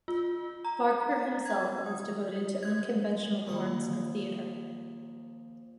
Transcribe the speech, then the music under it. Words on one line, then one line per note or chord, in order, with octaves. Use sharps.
Barker himself was devoted to unconventional forms of theater.
F4
A#5
G#6
D#6
G#6
D#2 A#2 F3 D#6